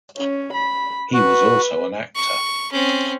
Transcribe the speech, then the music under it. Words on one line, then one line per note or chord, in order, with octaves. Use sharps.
He was also an actor.
C#4
B5
F#4 B4
C#6
C4 C#4